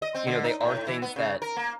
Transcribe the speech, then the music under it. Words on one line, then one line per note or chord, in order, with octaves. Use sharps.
you know, they are things that
D#5
C4
D3
D#4
A2
E3
B3
C#3
A#4
A#3